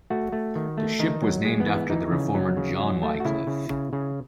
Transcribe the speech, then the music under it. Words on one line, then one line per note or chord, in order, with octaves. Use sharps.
The ship was named after the Reformer, John Wycliffe.
A3 F#4
A3
D#3
A3
D#3 D#4
F#3
G#3
B3
E3
B3
E3 D#4
C#3
F#3
C#3
F#3
A3
F#4
C#3 E4
C#3
C#3
C#3